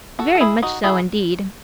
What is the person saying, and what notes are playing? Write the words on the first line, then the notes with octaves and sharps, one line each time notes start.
'Very much so indeed.
F#4 A4
A4
E4 G#4
D#4 F#4
E4 G#4